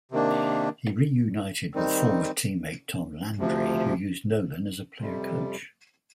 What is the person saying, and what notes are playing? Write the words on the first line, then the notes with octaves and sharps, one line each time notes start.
He reunited with former teammate Tom Landry, who used Nolan as a "player-coach".
C3 D#3 A#3 D4
D#3 G3 C4 D#4
D2 C3 F3
F2 C3 G3